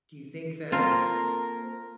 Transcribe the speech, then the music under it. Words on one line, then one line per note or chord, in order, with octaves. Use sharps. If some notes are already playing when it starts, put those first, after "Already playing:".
do you think that
A#3 C4 F4 A4 A#4